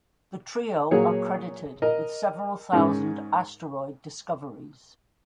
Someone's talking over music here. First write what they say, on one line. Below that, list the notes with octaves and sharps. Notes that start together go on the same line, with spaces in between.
The trio are credited with several thousand asteroid discoveries.
A#2 F#3 A#3 G#4 C#5
A#4 D#5
G#2 D#3 G#3 C#4